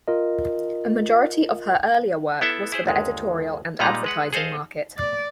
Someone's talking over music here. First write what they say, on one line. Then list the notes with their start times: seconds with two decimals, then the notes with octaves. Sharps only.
A majority of her earlier work was for the editorial and advertising market.
0.08 F4 A#4 D#5
2.41 B3 E4 A4 E5
2.72 E4 G#4 C5
2.86 G1 D#2 G#3
3.80 A#2 G3 G#3 D#4 B4 A#5
4.04 G#3 B4 F#5
4.33 G#4 A4 C5 D#5 F5
4.97 D5